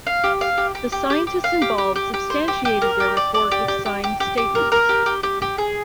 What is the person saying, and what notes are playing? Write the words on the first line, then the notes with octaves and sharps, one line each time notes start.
The scientists involved substantiated the report with signed statements.
F5
G4
F5
G4
G4
G4
G4
G4
F5
G4
G4
G4
G4
C5
G4
G4
A#4
G4
D5
D5
G4
G4
G4
G4
G4
G4
A#4
A#4
G4
G4
G4
G4
G#4